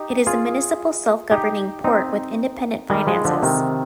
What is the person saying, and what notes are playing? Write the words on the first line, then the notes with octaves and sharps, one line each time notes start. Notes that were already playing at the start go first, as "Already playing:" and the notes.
It is a municipal self-governing port with independent finances.
Already playing: D#4 G4
F4 G#4
D#4 G4
C4 D#4
D#3 G3
F3 G#3
D3 F3
C3 D#3